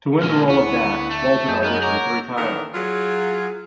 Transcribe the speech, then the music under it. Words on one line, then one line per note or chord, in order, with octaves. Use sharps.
To win the role of Dash, Walton auditioned three times.
D2 A#2 G#3 F6
D2 B3 E4 C#6
A3
F#2 G#4 D#5 G6
G#3 B3 D#4 A#4
A#4 C#5 F#5 D6
D#3 E3 B3 D4 A4 A#4
F#3 F4 G#4